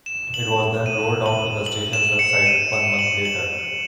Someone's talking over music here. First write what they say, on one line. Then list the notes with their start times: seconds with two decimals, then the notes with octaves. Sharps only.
It was then rolled out to the station's website one month later.
0.06 E7
0.34 F#7
0.60 F#7
0.86 D#7
1.26 F#7
1.66 F#7
1.93 E7
2.19 C#7
2.46 D#7
2.73 E7
2.94 E7
2.99 F#7
3.25 F#7